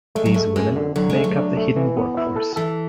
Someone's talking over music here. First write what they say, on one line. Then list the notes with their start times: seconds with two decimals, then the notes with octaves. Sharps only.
These women make up the hidden work force.
0.15 G#3 A3
0.26 F#3
0.34 G#3 A3
0.56 F#2 G#3
0.76 D3
0.96 D3 F#3
1.10 G#3
1.16 A3
1.24 F#3
1.36 D4
1.57 A3
1.76 E3
1.97 B3
2.17 E4
2.36 A4
2.56 E3 A4